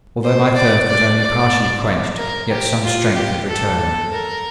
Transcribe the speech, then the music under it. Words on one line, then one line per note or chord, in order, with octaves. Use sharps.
Although my thirst was only partially quenched, yet some strength had returned.
C5
D5
D5
D5
A#4
G4
F4
G4
A4
A4
A#4